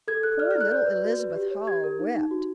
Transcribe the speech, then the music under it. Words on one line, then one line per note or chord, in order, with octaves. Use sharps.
Poor little Elizabeth Hull wept.
A4 G#6
A4 F#6
D5 F6
E4 F6
F#6
D5 G6
B4
F#4
B4
G4
C#5
G4 G#6
A#4
D#4
D#4
F#4